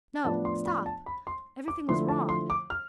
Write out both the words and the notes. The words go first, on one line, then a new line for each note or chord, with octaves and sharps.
No, stop! Everything was wrong.
A2 F3 B3 D4 F4 A5
C6
B5
A5
B5
C6
D6
D3 F3 A3 E4 C6
A5
C6
D6
F6